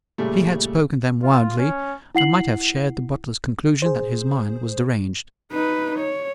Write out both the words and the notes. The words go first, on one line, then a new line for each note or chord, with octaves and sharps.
If he had spoken them wildly, I might have shared the butler's conclusion that his mind was deranged.
A#2 C#3 G3 A3
F4
C#4
E4 F#5 C7 F#7
G#4 C5
D#4 B4
C#5